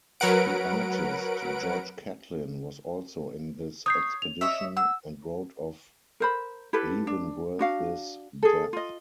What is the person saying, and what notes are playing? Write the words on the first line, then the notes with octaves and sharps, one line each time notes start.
The artist George Catlin was also in this expedition, and wrote of Leavenworth's death.
F#3 A#4 B4 F#5 D7
C#5 D#6 G6 C7
F7
C#5 D#5 E5
F#5 E6
A#4 C5 B5
E4 G4 A4 B4
D4
D4 F#4 F5
G#4 A4
F4 D#5